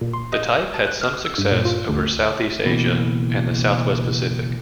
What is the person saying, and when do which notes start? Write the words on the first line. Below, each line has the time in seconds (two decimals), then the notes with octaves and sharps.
The type had some success over South East Asia and the South West Pacific.
0.01 A#2
0.13 C6
0.33 D#5
0.74 A5
0.87 F#6
1.01 F6
1.25 E6
1.38 G2
1.52 A#2
1.65 F4
1.89 D2
2.65 C#2 B2 E3 A#3 C4